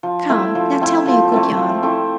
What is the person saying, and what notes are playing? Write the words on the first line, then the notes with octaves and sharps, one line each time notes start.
Come, now, tell me a good yarn.
F3
A3 C4 E4
F3
A3 C4 E4
F3
A3 C4 E4
F3
A3 C4 E4